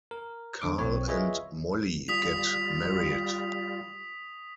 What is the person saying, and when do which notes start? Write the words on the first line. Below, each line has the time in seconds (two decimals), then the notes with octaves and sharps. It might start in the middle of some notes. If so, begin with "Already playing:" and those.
Carl and Molly get married.
0.11 A#4
0.62 E2 D3 D6
0.79 B1 C4 C#5
1.07 F4 G#4 B4 C#5 D#5 E5
2.08 G3 F4 D#6 B6 F7